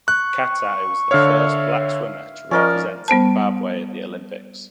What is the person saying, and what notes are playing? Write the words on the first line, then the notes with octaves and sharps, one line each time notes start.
Katai was the first black swimmer to represent Zimbabwe at the Olympics.
C#6 F#6
D3 C#5 E5 F5
F3 C#4 A#4 D5 D#5
G3 B3 C5 A5